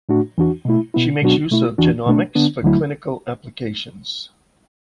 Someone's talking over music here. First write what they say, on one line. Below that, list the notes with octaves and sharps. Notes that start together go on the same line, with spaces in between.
She makes use of genomics for clinical applications.
A2 A3 D4 F#4
E2 E3 D4 F#4
B2 A3 E4
B2 B3 E4
B2 F#3 B3 D4 F#4
B2 A3 E4
E2 E3 D4 F#4
B2 A3 D4
D3 B3 D4
D2 D3 F#3 A3 E4